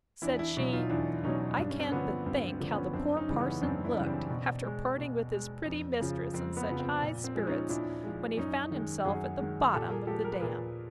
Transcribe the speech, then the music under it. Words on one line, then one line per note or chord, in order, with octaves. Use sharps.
Said she, I can but think how the poor parson looked, after parting with his pretty mistress in such high spirits, when he found himself at the bottom of the dam!
E2 D4 E4
D4 E4
B2 F#3
D#4 F4
E2 D4 E4
B2 F#3 C#4 D#4
G2 D4
C#4
C4 D4
D3 F3 B3 C#4
G2 C4
C4
D3 F3
B3 C#4
F#2 C4 D4
C#4 D#4
C#3 E3 G3
B3 C#4
F#2 C4 D4
D4 E4
C#3 E3 G3
C4 D4
B2
G#3
B2
G#3
F2
C#3 F3
F2 C4
B3
C#3 F3
C4
A#2
C4
F3 G#3
C#4 D#4
A#2 D4 E4
F3 G#3
F#2 C#4 D#4
D#3 G#3
F#2 F#4 G#4
D#3 G#3
A#2 G4 A4
G#4 A#4
F3 G#3 G4 A4
A#4
B4
A#2 G#4 A#4